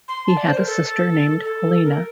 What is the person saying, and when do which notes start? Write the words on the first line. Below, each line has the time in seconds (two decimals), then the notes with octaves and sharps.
He had a sister named Helena.
0.08 C6
0.28 A5
0.37 D5
0.47 C5
0.57 A#4
0.67 A4
1.45 A4
1.85 A#4